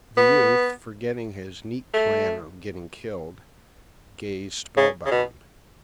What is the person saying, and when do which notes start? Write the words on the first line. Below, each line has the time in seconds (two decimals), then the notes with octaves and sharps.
The youth, forgetting his neat plan of getting killed, gazed spell bound.
0.17 B3
1.94 A3
4.77 C#3
5.06 C#3
5.11 B2